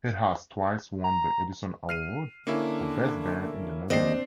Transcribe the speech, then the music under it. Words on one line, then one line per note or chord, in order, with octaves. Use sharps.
It has twice won the Edison Award for "Best Band" in the Netherlands.
A#5
F6 C7 D#7
D3 A#3 C#4 E4
D#2 C4 D4 C5 D#5 C7